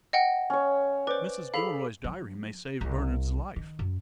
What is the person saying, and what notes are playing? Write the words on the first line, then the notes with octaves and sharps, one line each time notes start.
Mrs. Gilroy's diary may save Bernard's life.
D#5 F#5 G5
C#4 C#5
B4 C5 D5
G#4 A4 F5 B5
F#3
C2
D#3
F#2